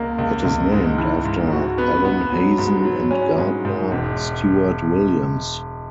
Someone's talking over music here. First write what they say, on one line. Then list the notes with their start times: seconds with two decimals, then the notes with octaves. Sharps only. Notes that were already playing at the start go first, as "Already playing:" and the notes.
It is named after Allen Hazen and Gardner Stewart Williams.
Already playing: C#2 A#3
0.18 C#2
0.45 C#2
0.72 G#2
0.98 E3
1.25 G#2
1.52 F#4
1.78 B3
2.05 B3
2.32 F#3
2.58 G#2
2.85 F#3
3.11 C#4
3.38 G#2
3.65 G#2
3.91 E1